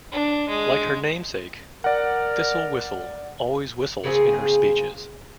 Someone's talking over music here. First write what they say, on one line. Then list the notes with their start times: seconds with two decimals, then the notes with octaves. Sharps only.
Like her namesake, Thistle Whistle always whistles in her speeches.
0.12 D4
0.49 G#3
1.84 A#4 D5 F#5
4.04 C#3 A#3 C4 G#4